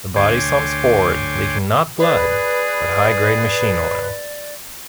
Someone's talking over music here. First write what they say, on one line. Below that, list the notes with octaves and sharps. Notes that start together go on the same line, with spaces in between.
The body slumps forward leaking not blood, but high-grade machine oil.
D2 C#5 G5 G#5 C6 D6
G#4 B4 D5